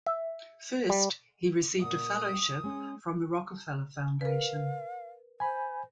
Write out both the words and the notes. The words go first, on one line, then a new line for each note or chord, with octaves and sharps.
First, he received a Fellowship from the Rockefeller Foundation.
E5
G3
A#2 F#5 D#6
G5
G#3 C#4
A#4 B4 F5
C5 G#5 B5